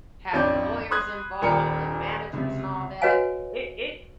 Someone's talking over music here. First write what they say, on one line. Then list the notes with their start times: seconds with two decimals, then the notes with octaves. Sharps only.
having lawyers involved and managers and all that, it it
0.33 A1 F2 D3 C#5 D5 G6
0.91 B5 C6 D#6 F#6 G#6
1.42 D#1 A#2 A#4 G5 C#7
2.33 C#2 C3
3.02 F#4 B4 C#5 D#5 F5 G#5